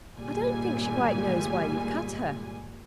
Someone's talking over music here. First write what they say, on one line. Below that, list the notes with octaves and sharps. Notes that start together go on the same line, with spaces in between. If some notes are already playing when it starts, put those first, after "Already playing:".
"I don't think she quite knows why you've cut her."
G1 A#2 D#3 G3 G#3 G#5